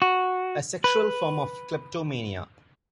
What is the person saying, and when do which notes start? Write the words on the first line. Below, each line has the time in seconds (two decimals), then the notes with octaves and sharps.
A sexual form of kleptomania.
0.02 F#4
0.84 B4